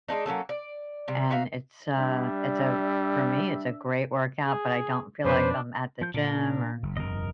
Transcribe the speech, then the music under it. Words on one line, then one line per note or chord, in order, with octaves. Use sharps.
and it's, uh it's a for me, it's a great workout, but I don't feel like I'm at the gym or
G#3 A3 D4 D#4
F#3 A#3 C#4 A4
D5
C3 G3
D#4 F#4 E5 F5
G3 D4 E5
G#4
F2 B2 C#4 D4 B4 C5
F3 G6
A#2 D4 A#4
F#1
F#1 E2 G#2 A#4 D#5